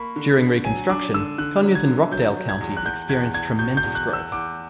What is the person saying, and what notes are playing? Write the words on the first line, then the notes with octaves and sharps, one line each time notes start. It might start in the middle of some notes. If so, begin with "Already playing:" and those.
During Reconstruction, Conyers and Rockdale County experienced tremendous growth.
Already playing: A#3 B5 C#6
D3
D4
F#3 G#5
D4 D6
D3 E6
D3 F#6
F#3
G#6
D3
F#3 G6
F#3
G#6
E2
F#6
E2 G6
E2 G#6
E2 G#6
B2 G6
G6
E2
F#6
E2
E6
E2 D6